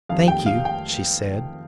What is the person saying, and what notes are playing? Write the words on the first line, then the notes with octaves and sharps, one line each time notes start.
"Thank you," she said.
F2 D#3 G3 F5
G5
F5
G5